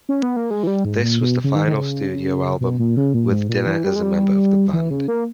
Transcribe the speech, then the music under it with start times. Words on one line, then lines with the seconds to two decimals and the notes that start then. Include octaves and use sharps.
This was the final studio album with Dinner as a member of the band.
0.09 C#4
0.23 B3
0.36 A#3
0.51 G#3
0.63 E3
0.67 G3
0.85 G#2
1.03 A#2
1.21 B2
1.44 C#3
1.55 D#3
1.67 D#3
1.73 C#3
2.61 B2
2.79 A#2
2.97 C#3
3.14 A#2
3.31 G#2
3.49 A#2
3.67 E3
3.84 G3
3.96 G#3
4.03 G3
4.73 E3
4.90 C#3
5.08 A#3